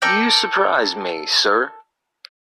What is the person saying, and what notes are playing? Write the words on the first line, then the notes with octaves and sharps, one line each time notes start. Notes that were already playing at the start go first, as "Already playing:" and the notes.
You surprise me, sir.
A4 A#4 D5 G5